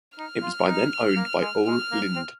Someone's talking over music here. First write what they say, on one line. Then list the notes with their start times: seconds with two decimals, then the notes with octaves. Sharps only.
It was by then owned by Ole Lind.
0.18 D#4 F6
0.43 F4
0.68 D#4
1.16 A#3
1.41 G#3
1.66 G#3 F6
1.92 A#3
2.16 C4